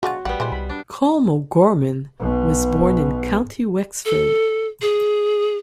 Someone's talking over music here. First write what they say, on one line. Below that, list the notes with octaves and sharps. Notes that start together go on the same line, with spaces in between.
Colm O'Gorman was born in County Wexford.
G#3 D4 F4 F#4
A1 G3 B3 F#5
A#2 E3 G#3 C5
C2 B5
D4
B1 B2
A4
G#4